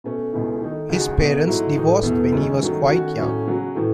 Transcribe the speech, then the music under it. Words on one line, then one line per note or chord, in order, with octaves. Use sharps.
His parents divorced when he was quite young.
B2 A3 C#4
C#2 B2 A3 C#4 E4
D#3 A3 D#4
C#2 C#3 G#3 D#4 F#4
B2 A3 D#4 F#4
G#2 F#3 A3 E4
A2 E3 A3 D#4
E2 B2 A3
F#2 D#3 G#3 C#4
D#3 F#3 A3
D#3 A3 C#4 F#4
A2 F#3 A3 C#4
C#3 F#3 C#4 F#4
A2 E3 A3